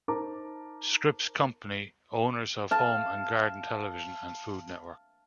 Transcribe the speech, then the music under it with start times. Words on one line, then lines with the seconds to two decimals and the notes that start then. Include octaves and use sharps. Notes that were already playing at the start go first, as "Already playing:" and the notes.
Scripps Company, owners of Home and Garden Television and Food Network.
0.08 D#4 A#4 C5 A5 A#5 D6
2.71 F5 A5